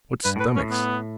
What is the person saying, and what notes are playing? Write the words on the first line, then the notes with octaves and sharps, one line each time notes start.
"What stomachs!"
G2 B4
A2 B4
B2
C#4
A2
B3